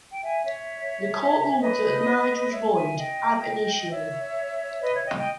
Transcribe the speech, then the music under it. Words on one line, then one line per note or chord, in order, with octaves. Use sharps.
The Court ruled that the marriage was void "ab initio".
G5
E5 G#5
C#5 E5
B4 D#5
C#5 E5
E5 G#5
D#5 G5
C#5 E5
B4 D#5
C#5 E5
D#5 G5
D#5 G5